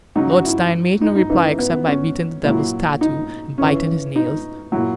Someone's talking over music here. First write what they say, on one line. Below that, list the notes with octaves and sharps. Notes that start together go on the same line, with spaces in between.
Lord Steyne made no reply except by beating the devil's tattoo and biting his nails.
C#3 F#3 D#4
F#4
E4
D#4
D#4
C#3 E3 D#4
B3
B3
C#4
A#2 F#3 E4
D#4
C#3 E3 C#4
D#4
A#2 F#3 E4